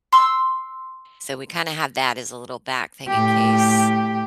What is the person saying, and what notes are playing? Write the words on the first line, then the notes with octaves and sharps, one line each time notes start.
So, we kinda have that as a little back thing in case.
C6 E6
A2 G4